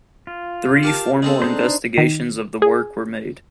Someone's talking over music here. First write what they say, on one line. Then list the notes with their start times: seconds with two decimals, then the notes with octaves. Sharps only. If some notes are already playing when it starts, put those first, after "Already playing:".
Three formal investigations of the work were made.
0.27 F4
0.83 G4 A#4 A5
1.22 G#3 C4 A4
1.42 D4 D#4 C5
1.98 D#3
2.62 G#4